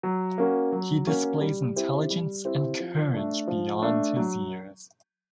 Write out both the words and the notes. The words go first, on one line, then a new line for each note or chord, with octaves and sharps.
He displays intelligence and courage beyond his years.
F#3
A#3 C#4 F#4
F#3
A#3 C#4 F#4
G3
C4 E4 G4
G3
C4 E4 G4
F3
A3 D4
F3
A3 D4
F#3